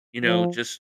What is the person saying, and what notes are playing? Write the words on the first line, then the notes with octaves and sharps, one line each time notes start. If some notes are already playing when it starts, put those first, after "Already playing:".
you know, just
F3